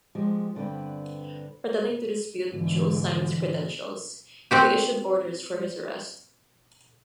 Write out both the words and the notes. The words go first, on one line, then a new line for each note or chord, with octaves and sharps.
Pretending to dispute Jules Simon's credentials, he issued orders for his arrest.
F3 G#3 G4
G2 D3 B3 C4 B4
G#2 B2 D3 E3
C4 F#4 G4